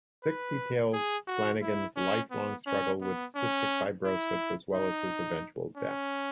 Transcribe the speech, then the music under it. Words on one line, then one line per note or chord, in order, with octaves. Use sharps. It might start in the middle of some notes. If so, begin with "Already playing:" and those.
"Sick" details Flanagan's lifelong struggle with cystic fibrosis, as well as his eventual death.
B4
G#4
F#4
E4
C#4
B3
C#4
B3
C#4
E4
D#4
C#4